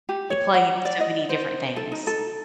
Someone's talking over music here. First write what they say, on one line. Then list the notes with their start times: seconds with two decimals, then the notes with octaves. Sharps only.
he played so many different things."
0.09 G4
0.30 C#5
0.54 F#5
0.85 D5
1.00 D#5
1.29 C5
1.76 A4
1.92 D#4
2.07 A4